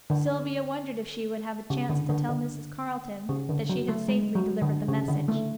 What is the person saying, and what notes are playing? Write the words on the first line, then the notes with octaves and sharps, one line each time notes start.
Sylvia wondered if she would have a chance to tell Mrs. Carleton that she had safely delivered the message.
D3
C#3
D3
D3
D3
C#3
D3
F#3
A3
G#3
F#3
D3
C#3
D3
A3